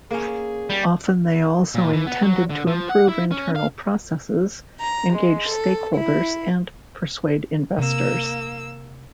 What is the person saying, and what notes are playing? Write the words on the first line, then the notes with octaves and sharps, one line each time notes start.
Often they also intended to improve internal processes, engage stakeholders and persuade investors.
A#3 C#4 G#4
G3
A#2
E3
B3
F#3
D3
F3
F#5
E4
C#4
F5
A#5
G#3
A4
E4
C3 A#3 E6